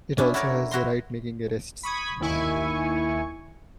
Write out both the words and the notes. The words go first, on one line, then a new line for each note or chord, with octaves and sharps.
It also has the right making arrests.
C#4 D4 E4
E4 F#4 A4 A#4 C#5 D5
E4 F#4 A#5 C6
B5 C#6 D#6 G#6
D#2 D#3 E4 G#5 C#6